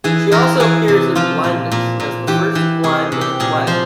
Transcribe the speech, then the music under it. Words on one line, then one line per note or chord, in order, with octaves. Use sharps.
She also appears in "Blindness" as the First Blind Man's Wife.
E3 G#4
E3 A#4
E3 G#4
C3
F3 F4
A#2
A#2
A#2
E3 G4
E3
C3 G#4
C3
G4
A#2 G#4
F3 C5